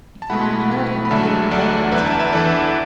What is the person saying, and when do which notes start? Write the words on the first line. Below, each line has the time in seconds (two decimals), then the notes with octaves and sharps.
If the man heard her he gave no evidence of the fact.
0.22 A5
0.30 B2 A3 E4 F#5 B5
0.71 B2 A3 E4
1.05 B5
1.10 D2 D3 F#3 A3 D4 E5 A5
1.51 D2 D3 F#3 A3 D4 D5 F#5
1.92 E2 E3 D4 B4 E5
2.06 E5 A5
2.20 B4 E5
2.33 E2 E3 D4 A4 D5
2.63 A4